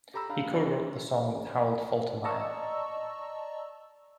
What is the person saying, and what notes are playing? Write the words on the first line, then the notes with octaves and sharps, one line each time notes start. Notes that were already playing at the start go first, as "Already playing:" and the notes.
He co-wrote the song with Harold Faltermeyer.
G4 A4 A#5 B5 E6
D4 G4 F5 A#5 B5
C4 F#4 D5 A5 B5
E3
D5 D#5 A5 A#5 C#6 E6